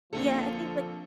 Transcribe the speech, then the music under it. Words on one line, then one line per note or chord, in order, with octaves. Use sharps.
Yeah, I think, like,
A#1 D3 F3 A#3 C4 A4